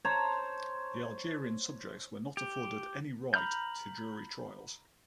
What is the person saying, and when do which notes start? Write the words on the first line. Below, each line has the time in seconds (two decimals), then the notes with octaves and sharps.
The Algerian "subjects" were not afforded any right to jury trials.
0.05 C5 C#5 A5 A#5
2.37 G4
3.34 A#5 B5 F6 G6